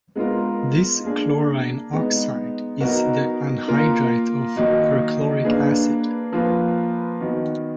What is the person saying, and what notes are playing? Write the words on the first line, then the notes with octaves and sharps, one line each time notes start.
This chlorine oxide is the anhydride of perchloric acid.
G#3 B3 F4 A#4
A#3 D4 G#4
G#3 B3 D#4
F#3 B3 D#4 F#4 A#4
A#3 F4 A#4
D#3 F#3 A#3 D#4
A#3 D4 G#4 B4
F3 A#3 F4 B4
D#3 F#3 B3